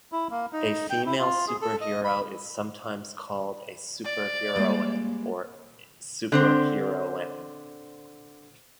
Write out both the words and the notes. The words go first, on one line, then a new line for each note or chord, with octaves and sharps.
A female superhero is sometimes called a superheroine or super heroine.
E4
A#3
D#4
G5
E4
F4
G#4
A4
D#5
B5
D5
G3 G#3 A#3
D3 C4 C5